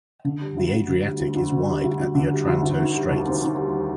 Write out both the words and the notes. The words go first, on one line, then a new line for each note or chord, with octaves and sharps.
The Adriatic is wide at the Otranto Straits.
D3
G3
D2
D2
D3
G3
D2
D2
D3
G3
D2
D2
D3
G3
D2
D2
D#3
G3
D#2
C4
D#3
G3